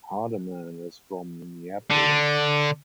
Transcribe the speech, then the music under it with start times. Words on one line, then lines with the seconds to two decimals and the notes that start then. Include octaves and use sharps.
Hardeman is from Minneapolis.
1.90 D3